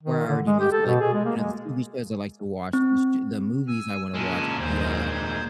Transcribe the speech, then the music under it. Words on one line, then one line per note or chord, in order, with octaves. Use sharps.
where I already know, so, like, you know, the TV shows I like to watch, the sh the movies I wanna watch, the, uh,
D#3
D3
G#3
G4
A4
B2
G#4
G#3
A#3
G#3
C4
G#5 E6
A#2 G#3 C#4 G#5 A5
D#2 C5 G#6